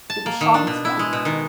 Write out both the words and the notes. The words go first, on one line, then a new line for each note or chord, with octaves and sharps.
It was shot in Spain.
A5
A#3
D#3
D4
B2
E4
G#3
B2
D#3